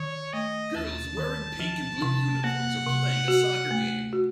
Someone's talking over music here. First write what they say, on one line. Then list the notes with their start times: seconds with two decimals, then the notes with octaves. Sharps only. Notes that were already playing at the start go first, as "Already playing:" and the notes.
Girls wearing pink and blue uniforms are playing a soccer game.
Already playing: D#3 C#5
0.33 A3 D#5
0.75 D#2 A5
1.17 D#3
1.59 F3
2.02 C3
2.44 A#3 F#5
2.86 C3
3.28 F#4
3.71 A3
4.13 F#4